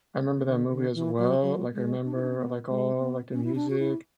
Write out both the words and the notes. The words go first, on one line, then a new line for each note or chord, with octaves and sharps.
I remember that movie as well, like, I remember, like, all, like, the music
C#3
C#3
D3
D3
E3
F#3
F#3
G#3
D4
E4
D4
C#4
B3
G#3
B3
C#4
E4
D4
F#4
E4